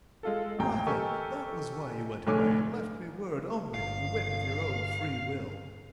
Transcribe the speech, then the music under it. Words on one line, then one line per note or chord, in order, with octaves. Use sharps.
Ah, then, that was why you went away, and left me word only that you went of your own free will.
G#3 F4 A4
A1 E2 A#2 G5 A#5
G4 A4 A#4 D#5 G#5 C#6
F1 A2 D3 C#5 G#5 D6
G1 F5